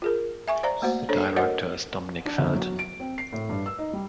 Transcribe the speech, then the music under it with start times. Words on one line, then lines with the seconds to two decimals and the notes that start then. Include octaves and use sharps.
The director is Dominique Felten.
0.02 F4 G#4 A#4
0.48 E5 G#5 C#6
0.63 C5 D5 F5 A#5
0.82 A3 A#3 F#4 C5
1.09 D4 A4 C5 C#5
1.36 F#4 A#4 C5 C#5 D#5 F#5
2.25 D4
2.38 G1
2.55 F#3
2.79 D7
3.00 C4
3.18 C7
3.33 A2
3.49 G2
3.66 E6
3.78 D#4
3.93 G3